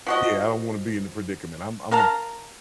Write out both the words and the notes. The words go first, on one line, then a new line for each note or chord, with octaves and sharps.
Yeah, I don't wanna be in the predicament. I'm I'm a
F3 F#4 D#5
A#4 F5 A5 A#5